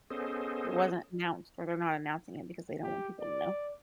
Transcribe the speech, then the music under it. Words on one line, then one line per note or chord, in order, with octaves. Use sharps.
it wasn't announced or they're not announcing it because they don't want people to know.
B3 C#4 G#4 A4 C5 D#5
G4
D5